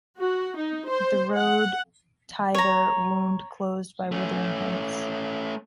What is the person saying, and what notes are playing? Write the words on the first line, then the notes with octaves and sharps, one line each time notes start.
The road thither wound close by Wuthering Heights.
F#4
D#4
C5
F#5
C#5 A#5
A3 C#4